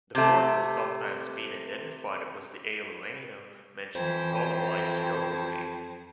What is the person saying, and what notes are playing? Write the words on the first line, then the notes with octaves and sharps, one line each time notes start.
The fort has sometimes been identified with the "Alauna" mentioned in Ptolemy's "Geography".
C3 A3
F2 E3 C5 G5 G#6